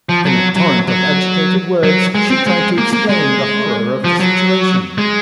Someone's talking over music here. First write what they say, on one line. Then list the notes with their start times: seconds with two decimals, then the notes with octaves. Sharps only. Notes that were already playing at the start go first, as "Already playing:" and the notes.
In a torrent of agitated words she tried to explain the horror of the situation.
0.09 F3
0.25 F#3
0.56 F#3
0.88 F#3
1.83 F#3
2.15 G#3
2.30 C4
2.47 G#3
2.78 A#3
2.93 A#3
3.09 G#3
4.04 F3
4.20 F#3
4.98 G#3